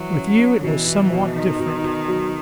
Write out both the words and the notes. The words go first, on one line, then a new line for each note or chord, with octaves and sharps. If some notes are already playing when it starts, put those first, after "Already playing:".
With you it was somewhat different.
Already playing: E3 F#3
C#4
C#4
B2 E3
B2
B2
D#3 D#4
B2
B2
F#3